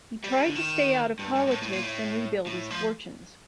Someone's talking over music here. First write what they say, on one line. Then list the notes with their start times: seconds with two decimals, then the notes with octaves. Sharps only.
He tried to stay out of politics and rebuild his fortunes.
0.24 G3
0.46 D3
0.55 D#3
1.19 G2
1.35 G2
1.47 G2
1.51 A2
1.62 A2
1.73 A#2
1.83 A2
2.46 A2
2.71 F3